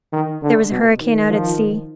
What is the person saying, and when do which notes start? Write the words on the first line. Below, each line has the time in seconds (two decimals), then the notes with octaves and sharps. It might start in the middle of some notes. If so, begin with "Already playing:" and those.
There was a hurricane out at sea.
0.13 D#3
0.42 D3
0.71 B2
1.01 D#3
1.30 F3